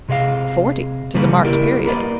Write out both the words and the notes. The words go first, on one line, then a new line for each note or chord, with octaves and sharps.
Forty; 'tis a marked period.
C3 G#4 D#5 F5
C#3 G3 A#3 C#4 G#4 B4
E4 G4 A#4 D5 D#5
A#3 C#4 B4 D5 D#5